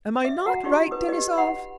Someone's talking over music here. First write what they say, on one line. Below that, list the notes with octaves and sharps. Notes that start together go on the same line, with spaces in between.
Am I not right, Denisov?
E5
F#4 F#5 A#5
D4 D#4 F4 G4 D#5
B4 D#6
G4 D#5
F#5 B5